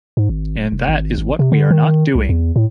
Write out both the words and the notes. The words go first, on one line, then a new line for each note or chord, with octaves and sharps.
And that is what we are not doing.
G#2
G#1
D1
F1
G#1
G#1
C3
D3
D#3
C2
E2
A2